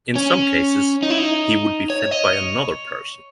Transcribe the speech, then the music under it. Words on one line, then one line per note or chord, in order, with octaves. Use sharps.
In some cases he would be fed by another person.
C#4
D#4
E4
D#4
C#5
D#5
C#5